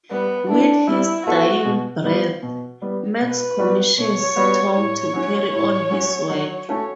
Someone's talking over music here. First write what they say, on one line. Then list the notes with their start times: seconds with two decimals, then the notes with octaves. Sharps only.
With his dying breath, Max commissions Tom to carry on his work.
0.11 G3 B3
0.49 B3 D4 E4 A4
0.88 G3 E4
1.27 B3 E4 F#4 A4
1.65 B2
2.04 G3 B3
2.43 B2
2.82 G3 B3
3.21 B2 B4
3.59 G3 B3 F#4
3.98 B2 C#5
4.36 G3 B3 F#4
4.75 A2 C#5
5.13 F#3 C#4
5.53 A2
5.91 F#3 C#4
6.29 F#3
6.69 A3 C#4 F#4 A4